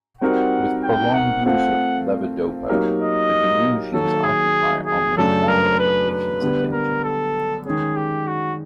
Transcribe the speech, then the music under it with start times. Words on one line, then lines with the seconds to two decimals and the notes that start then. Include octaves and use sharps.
With prolonged use of levodopa, the delusions occupy almost all of a patient's attention.
0.21 G3 C4 D#4 F#4 A#4 F#5
0.83 G5
1.14 F#5
1.45 A3 C4 F4 F#5
2.69 F#3 A#3 D#4 G4 A#4
3.01 D#5
3.93 D#3 F#3 A#3 A4
4.24 G#4
4.86 G#4
5.17 F#2 C#3 F#3 A3 D4 A4
5.48 A#4
5.79 B4
6.10 B4
6.41 D3 G3 B3
6.72 A#4
7.04 A4
7.65 D#3 G#3 C#4 G#4
7.96 G4
8.27 F#4